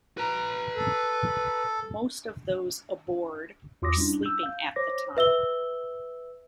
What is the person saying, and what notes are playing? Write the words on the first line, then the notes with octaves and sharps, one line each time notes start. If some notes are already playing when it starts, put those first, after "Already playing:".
Most of those aboard were sleeping at the time.
B4 A#5
A4
E2 F4 C6 D6 D#6 A#6
G3 C#4 D4 E4
E6 G6
F5 G6
C5 C#5 D6 A#6
B4 E5 E6 G7